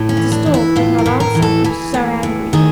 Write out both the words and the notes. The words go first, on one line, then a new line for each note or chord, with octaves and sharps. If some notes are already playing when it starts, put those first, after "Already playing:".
But the Stork did not answer, he was so angry.
Already playing: A2
C#4
E3
D4
E3
E4
A2 F4
A#4
A2
A#4
E3
A4
E3 G#4
A2
A2
D#3 G#4